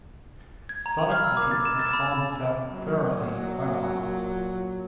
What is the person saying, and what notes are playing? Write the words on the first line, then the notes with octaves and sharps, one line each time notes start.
Sonically, it holds up fairly well.
G#6
A#5
B5
F6
E6
D6
A6
E7
A6
B5
A#2 F#3